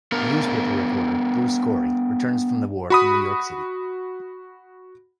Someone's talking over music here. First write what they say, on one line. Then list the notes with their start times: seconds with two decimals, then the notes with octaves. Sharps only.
A newspaper reporter, Bruce Corey, returns from the war to New York City.
0.12 B3 D4 A#4
2.90 F#4 B5 D#6